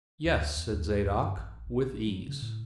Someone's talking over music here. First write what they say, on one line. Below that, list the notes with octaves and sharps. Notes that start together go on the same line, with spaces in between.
"Yes," said Zadok, "with ease."
D2
E2
D#2
D#2
G2
A1
A1
F#3
C#3
A2